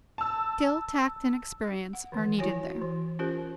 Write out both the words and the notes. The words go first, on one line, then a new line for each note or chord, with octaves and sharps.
Skill, tact, and experience are needed there.
A5 E6
F#5
D#3 E3
E4 F#4 C#5 G#5
E3
C#4 F4 G4 A#4 C5